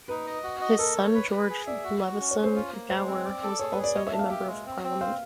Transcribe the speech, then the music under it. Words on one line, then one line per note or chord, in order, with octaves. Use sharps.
His son George Leveson-Gower was also a Member of Parliament.
D#4 B4
D#5
F#4
D#5
A4 A#4
C#5
B4
B4
G#4
D5 E5
F#4
F#4
C#4
C#5
C#4
C5
F4
A#3
G#3 C5
C4
D5
A4
G#4 C#5
B4
G#4
D5
C#5 D#5
E5
D4
F5
G4 E5
G#3
C4
C4
C5 F5